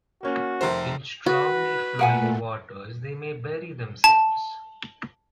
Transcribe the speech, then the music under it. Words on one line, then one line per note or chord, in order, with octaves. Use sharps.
In strongly flowing waters, they may bury themselves.
A#3 C#4 F#4
F1 A#4 C5 E5
F#4 B4
A#2 A3 A#4 F#5 G#5
A5